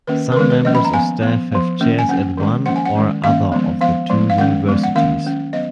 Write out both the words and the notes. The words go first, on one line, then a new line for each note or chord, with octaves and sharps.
Some members of staff have chairs at one or other of the two universities.
D#3 A#3 C#4 B4
B4
D#3 G#3 B3 A#4
B4
F3 A#3 C#4 D#5
B5
A#5
F3 B3 G#5
F3 B3
F3 B3
D#3 A#3 C#4
G#5
F#3 C#4 F#5
D#3 G#3 C#4
F3 A#3 C#4 F#5
G#5
F#5
D#3 G#3 C#4
D#3 A#3 C#4 F5
F3 G#3 B3
F3 B3 F5
F3 G#3 B3
F5
D#3 G#3 C#4 F#5
F3 G#3 B3
F#5
D#3 A#3 C#4 F5
F#3 C#4
F#3 B3 D#5